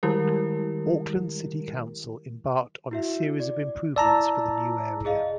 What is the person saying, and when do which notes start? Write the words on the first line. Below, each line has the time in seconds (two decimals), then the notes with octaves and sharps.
Auckland City Council embarked on a series of improvements for the new area.
0.03 D#3 G3 G#3 E4 G4 A#4
2.91 E4 F#4 E5
3.40 D5
3.96 E4 D5 A5 A#5 E6
5.05 G#4 D#5 F5